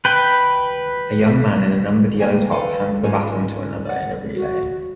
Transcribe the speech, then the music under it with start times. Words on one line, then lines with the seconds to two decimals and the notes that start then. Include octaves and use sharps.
A young man in a numbered yellow top hands the baton to another in a relay.
0.05 B4 G5
2.20 A#3 C#5 G5 G#5
2.52 A4 B4 F5 G5
3.04 G#2 G#3 C#4 F4 G#4 G#5
3.85 D5 F#5
4.35 F#4